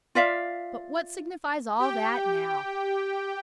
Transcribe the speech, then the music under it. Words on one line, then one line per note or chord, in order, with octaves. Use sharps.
But what signifies all that now?
F4 D5 E5 F5
G4 G5